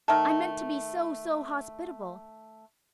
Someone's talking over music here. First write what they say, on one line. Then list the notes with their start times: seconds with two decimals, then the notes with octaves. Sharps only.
I meant to be so--so--hospitable.
0.08 D#3 A3 A4